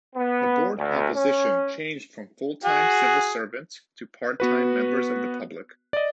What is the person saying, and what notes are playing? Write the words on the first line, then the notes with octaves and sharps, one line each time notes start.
The Board composition changed from full-time civil servants to part-time members of the public.
B3
D2
C#4
F#4 G#4
B3 F#4 B4
D5 D#5